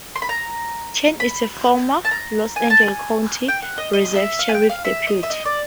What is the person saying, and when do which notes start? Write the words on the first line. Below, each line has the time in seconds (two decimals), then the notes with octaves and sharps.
Chen is a former Los Angeles County Reserve Sheriff's Deputy.
0.16 C6
0.22 B5
0.29 A#5
1.20 B5
2.05 A5
2.11 A#5
2.56 G#5
2.70 A5
2.83 G#5
3.48 G5
3.62 F#5
3.78 D#5
3.93 D#5
4.16 E5
4.39 F5
4.49 G#5
4.54 G5
4.69 F5
4.85 E5
5.07 D#5
5.23 E5
5.30 D#5
5.45 D5